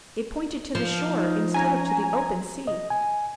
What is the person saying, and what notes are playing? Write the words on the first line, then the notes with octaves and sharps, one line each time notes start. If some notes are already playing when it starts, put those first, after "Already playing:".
It pointed to the shore instead of to the open sea!
F3
D#4
C#4 G#5 A#5
D#5
G#5